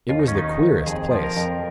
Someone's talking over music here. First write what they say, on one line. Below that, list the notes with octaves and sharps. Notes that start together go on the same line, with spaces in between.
It was the queerest place!
D#2 F4
D#4
C#4
D#3 D#4
D#2
F2 G#4
F3
A#4
F2